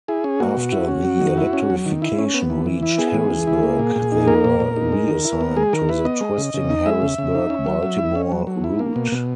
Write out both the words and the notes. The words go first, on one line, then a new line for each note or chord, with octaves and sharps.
After the electrification reached Harrisburg, they were reassigned to the twisting Harrisburg-Baltimore route.
E4 G#4
C#4
A#3 F#4
B2
E4
C#4
F#3
D#3
E4
C#4
F#3
D#3
E4
C#4
B3
E3
E3
E4
B3 G#4
E3
E3
E4
A#3
A#2
A#2
D#4
A#3 A#4
A#2
A#2
D#4
G#3
D#3
E4
B3
G#3 G#4
D#3 A#4
E4 B4
B3 D#5
G#3
C#3
C#3
D#4
G#3 E5
C#3
C#3
D#4
C#4
F#3
F#3
E4
C#4
F#3
F#3
E4
A#3
B2
B2